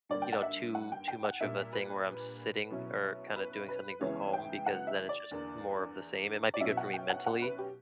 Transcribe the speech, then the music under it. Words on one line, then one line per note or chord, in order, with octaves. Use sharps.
you know, too too much of a thing where I'm sitting or kinda doing something from home because then it's just more of the same. It might be good for me mentally,
G2 D3 A#3 D5
G5
F#5
E5
F#5
G5
G5
F#5
A#2 G3 A#3 D4 E5
B4
B2 F#3 C#4 E4
B4
B4
C#2 C#3 E3 B3 E4 C#5
G5
F#5
E5
D5
E2 D3 A#3 D4
D5
B2 F#3 C#4 E4 E5
F#5
G5
F#5
F#5
B4
G4